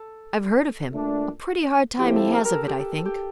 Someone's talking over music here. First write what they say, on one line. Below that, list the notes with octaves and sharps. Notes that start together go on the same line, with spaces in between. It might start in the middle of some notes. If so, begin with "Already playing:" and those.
"I've heard of him; a pretty hard time he has of it, I think."
Already playing: A4
A#2 A3 D4
A2 F3 C4 E4 G4
A4
A#4
A#4
A4
G4
A4
A4
G4